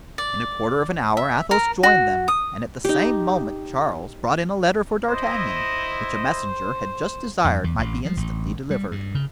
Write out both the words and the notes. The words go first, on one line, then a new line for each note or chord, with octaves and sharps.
In a quarter of an hour Athos joined them and at the same moment Charles brought in a letter for D'Artagnan, which a messenger had just desired might be instantly delivered.
D5
E5
A#4
F#4
D#6
D#4 G4
E4 C5 D#5
F2
E2
A1
F3
A1
G3
G2
C#3